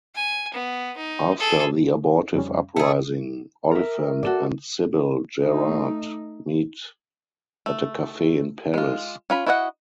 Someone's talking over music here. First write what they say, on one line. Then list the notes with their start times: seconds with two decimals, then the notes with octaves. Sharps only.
After the abortive uprising, Oliphant and Sybil Gerard meet at a cafe in Paris.
0.15 G#5
0.54 B3
0.97 D#4
1.39 G#4 A4
2.34 F2 G3 C#4
2.76 A3 G#4 E6
3.71 A#4 E5
4.23 F#4 A4 D5
5.42 A3 D#4
7.66 A3
8.74 G#3 F4
9.30 C#4 F4 B5
9.46 E4 F#4 C#5 D#5 F#5